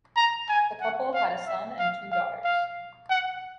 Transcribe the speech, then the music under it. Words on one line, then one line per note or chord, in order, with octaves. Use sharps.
The couple had a son and two daughters.
A#5
G#5
F#5
F5
E5
F5
F5
F5
F#5